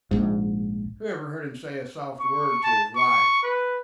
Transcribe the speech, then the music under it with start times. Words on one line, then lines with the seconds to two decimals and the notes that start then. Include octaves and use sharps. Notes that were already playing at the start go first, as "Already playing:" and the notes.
Who ever heard him say a soft word to his wife?
0.11 A#1 G#2
2.20 C#6
2.63 A5
2.96 C#6
3.43 B4